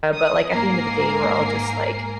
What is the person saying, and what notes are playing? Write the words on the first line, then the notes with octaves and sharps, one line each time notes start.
but, like, at the end of the day, we're all just, like,
D#6
G#2 A#3 A#4 G#5 A#5 C7